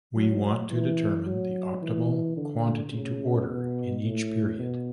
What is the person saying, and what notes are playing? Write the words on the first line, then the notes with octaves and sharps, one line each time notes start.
We want to determine the optimal quantity to order in each period.
F#3
E3
F#3
E3
D3
C#3
B2
A2
B2